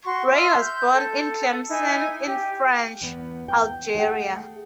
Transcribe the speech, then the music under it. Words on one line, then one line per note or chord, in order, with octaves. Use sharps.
Rey was born in Tlemcen in French Algeria.
F#4 C6 C#6
E5 C6 F6
G6
A4
D#4 E4 G#5
G4
E2 B3
G5
A3 G#4 F#5 G5